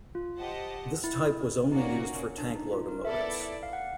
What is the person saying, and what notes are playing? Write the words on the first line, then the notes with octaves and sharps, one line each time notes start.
This type was only used for tank locomotives.
F4
G4 C5 D#5 F#5 A5
E4
A#3 C#4 D#4 F#4 A#4 D5
D4
D#4
F4
A#4
B3 E4 A4 D5 E5
F5
F#5